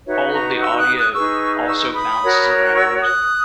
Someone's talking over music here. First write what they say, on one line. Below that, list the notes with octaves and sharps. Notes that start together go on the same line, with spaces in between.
all of the audio also bounces around,
D#4 F#4 B4 C#5 E5
A#5 C#6
C#6 E6
D#6 F#6
D#6 F#6
D#4 G#4 B4 C#6 E6
C#6 E6
B5 D#6
F#4 A#4 C#5
F#6
C#6 E6
D#6 F#6